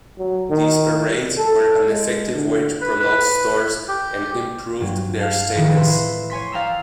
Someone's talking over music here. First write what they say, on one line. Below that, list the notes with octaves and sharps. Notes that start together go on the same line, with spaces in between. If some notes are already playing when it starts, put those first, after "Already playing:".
These "parades" were an effective way to promote stores, and improved their status.
F#3
D#3
G3
A4
G#3
D3
B4
B4
G4
G2 F#3
F5 A5
F1 A2 D#3 E3
B4 E5 B5 C6
C#5 G#5 C6 B6
D5 F5 G5 A#5 E6